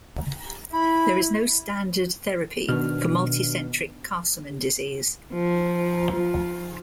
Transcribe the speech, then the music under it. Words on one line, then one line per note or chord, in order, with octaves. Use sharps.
There is no standard therapy for multicentric Castleman disease.
E4 B5
B2 D#3 D4 F6
F3
F3 F4